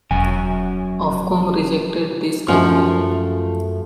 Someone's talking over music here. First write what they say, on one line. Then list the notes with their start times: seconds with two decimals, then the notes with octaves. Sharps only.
Ofcom rejected this complaint.
0.11 E1 F#2 G#5
2.48 F#2 F3 A3